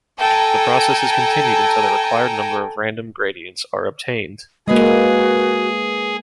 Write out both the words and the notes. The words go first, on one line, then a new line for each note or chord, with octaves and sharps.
The process is continued until the required number of random gradients are obtained.
A4 G5 G#5 A#5
G#3 A#3 F#4 G#4 B4 D#5